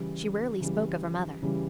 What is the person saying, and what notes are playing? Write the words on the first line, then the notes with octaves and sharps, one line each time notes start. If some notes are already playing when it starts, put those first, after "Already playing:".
She rarely spoke of her mother.
Already playing: C#3 E3 G3
C#3 E3 G3
C#3 E3 G3